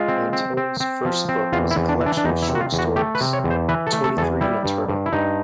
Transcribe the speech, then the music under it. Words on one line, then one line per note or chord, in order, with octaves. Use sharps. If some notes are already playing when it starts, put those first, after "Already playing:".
Montero's first book was a collection of short stories, "Twenty-Three and a Turtle".
Already playing: G#3 F4
C4
C4
C4
C4
F3
C4
E2 F4
E4
E2
D4
E3
D4
D4
E2 D#4
E4
C3
F#4
F4
E2
F#4
A3 G4
B4
C3
C#5
E2
C5
E3 B4
A4
A3
A4
E2 A4
G#4
G3 E4
G2
G2
E4
G2 D#4